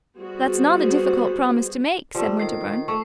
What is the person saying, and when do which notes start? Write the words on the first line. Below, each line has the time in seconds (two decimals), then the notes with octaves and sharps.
"That's not a difficult promise to make," said Winterbourne.
0.18 G3 B3 F#4 G#4 C5
2.15 F3 G3 A3
2.40 D#3 C7
2.88 A3 C#6